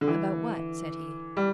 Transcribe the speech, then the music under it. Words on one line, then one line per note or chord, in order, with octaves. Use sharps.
"About what?" said he.
D3
E3
G3